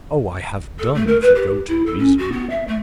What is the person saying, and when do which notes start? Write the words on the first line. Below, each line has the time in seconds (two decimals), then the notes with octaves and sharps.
Oh, I have done if you go to reason!
0.79 A4
0.94 A3
1.07 A#4
1.21 B4
1.35 G4
1.68 E4
1.86 A4
1.98 C#4
2.18 F#4
2.32 B3
2.50 E5
2.68 A3